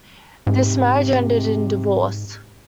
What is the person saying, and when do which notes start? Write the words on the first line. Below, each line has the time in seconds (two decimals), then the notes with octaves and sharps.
This marriage ended in divorce.
0.47 G#2 C3